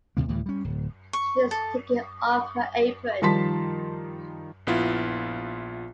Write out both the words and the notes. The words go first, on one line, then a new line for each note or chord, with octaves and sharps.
She’s taking off her apron.
D#2 C3 A#3
D2 A2 E3 G3
G3 C#4
D1
C#6
A4
D#3 F3 G3 A5 C6 B6
A#1 B3 E4 F4